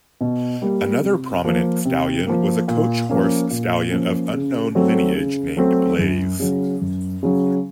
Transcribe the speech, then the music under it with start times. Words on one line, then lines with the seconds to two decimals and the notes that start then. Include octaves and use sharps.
Another prominent stallion was a coach horse stallion of unknown lineage named Blaze.
0.21 B2
0.62 G3 A#3
1.03 C3
1.44 F3 A#3
1.85 C3
2.27 F3 A#3
2.68 A#2
3.09 F3 A#3 C#4
3.50 A#2
3.91 F3 A#3 C#4
4.33 C#3
4.75 F#3 A3 C4
5.16 C#3
5.57 F#3 A3 C4
5.99 F#2
6.40 C#3 F#3
6.81 F#2
7.23 C#3 F#3